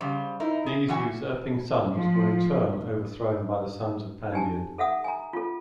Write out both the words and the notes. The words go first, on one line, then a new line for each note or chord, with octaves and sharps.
These usurping sons were in turn overthrown by the sons of Pandion.
C#3 G3 C5
D#4 E4 A#4
G#4
E3 F#3 F#4 G#5
F3
D#4 G4 G#5 A5
A4 E5 F#5 D#6
G#5 A#5
F4 A4